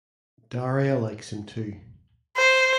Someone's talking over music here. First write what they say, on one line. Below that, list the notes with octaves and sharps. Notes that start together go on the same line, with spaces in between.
Daria likes him too.
C5